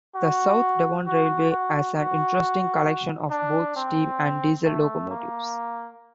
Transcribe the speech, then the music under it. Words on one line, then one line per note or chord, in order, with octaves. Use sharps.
The South Devon Railway has an interesting collection of both steam and diesel locomotives.
F#4
F#4
F#4
F#4
D4
C4
A3
A#3